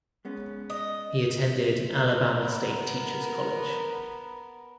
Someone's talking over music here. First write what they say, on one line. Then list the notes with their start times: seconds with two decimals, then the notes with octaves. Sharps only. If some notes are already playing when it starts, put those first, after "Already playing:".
He attended Alabama State Teachers College.
0.25 G#3 B3 C#4
0.70 D#5
2.32 B3 A#4